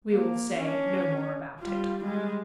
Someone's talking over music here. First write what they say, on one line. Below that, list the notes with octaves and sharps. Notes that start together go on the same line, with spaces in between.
We will say no more about it.
A#3
C#4 D4
G3 F4
G3 G#3